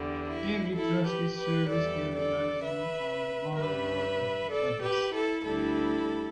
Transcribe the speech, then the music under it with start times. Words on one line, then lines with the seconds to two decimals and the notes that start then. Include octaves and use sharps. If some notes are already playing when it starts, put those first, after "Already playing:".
Every Trustee serves a liaison on one or more of the bodies.
Already playing: E2 D3 G3
0.28 E4
0.75 E4 A4
1.07 G4 B4
1.38 G4 B4
1.69 E2 E3 G3 A4 D5
2.16 A4 D5
2.64 B4 E5
3.56 G2 D3 G3 B4 E5
4.50 A4 D5
4.82 G4 B4
5.14 E4 A4
5.45 D2 D3 G3 E4 A4